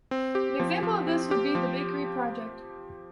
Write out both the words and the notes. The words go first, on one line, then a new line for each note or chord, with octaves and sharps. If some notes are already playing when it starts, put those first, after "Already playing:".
An example of this would be the bakery project.
C4
G4
F3
F3
C4
G4
F3